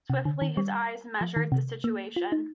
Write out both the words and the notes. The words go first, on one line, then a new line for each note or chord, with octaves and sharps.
Swiftly his eyes measured the situation.
C3
D3
D#3
G3
F3
D#3
C3
A#3
F4
D#4